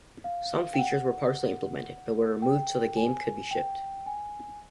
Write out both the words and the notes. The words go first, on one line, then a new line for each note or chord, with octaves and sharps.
Some features were partially implemented, but were removed so the game could be shipped.
F5
G5
F#5
G5
G#5
G5
G#5